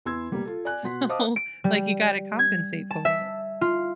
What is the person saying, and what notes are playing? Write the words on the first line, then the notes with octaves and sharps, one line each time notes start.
so, like, you gotta compensate for it.
E2 E4 C6 E6 G#6
B2 G3 A#3
F4 A4
D5 G#5 F#6
B2 F#4 C6 B6
C5 D#5 F5 A5 D6 D#6
D7
G3
G#6
A5
E5
F4